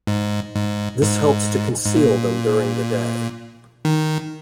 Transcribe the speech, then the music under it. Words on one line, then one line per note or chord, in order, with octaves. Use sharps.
This helps to conceal them during the day.
G#2
G#2
G#2
G#2
A#2
D#3